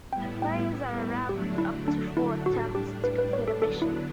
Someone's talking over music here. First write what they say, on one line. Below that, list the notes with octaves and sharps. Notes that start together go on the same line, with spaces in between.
Players are allowed up to four attempts to complete a mission.
A2 G3 B3 E4 G5
G5
D3 F#3 A3 D4 G4
E4
D4
E4
A2 G3 D4 F#4
G4
B4
B4
C#5
A4
D3 F#3 B3 D4 A4
E4